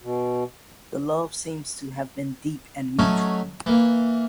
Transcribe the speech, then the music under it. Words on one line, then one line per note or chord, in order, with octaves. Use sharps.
The love seems to have been deep and mutual.
B2
F#3 A3 C#4 D#4
E3 A#3